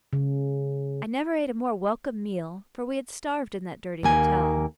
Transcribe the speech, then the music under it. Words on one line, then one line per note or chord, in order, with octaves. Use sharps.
I never ate a more welcome meal, for we had starved in that dirty hotel.
C#3
D#2 A#3 G#5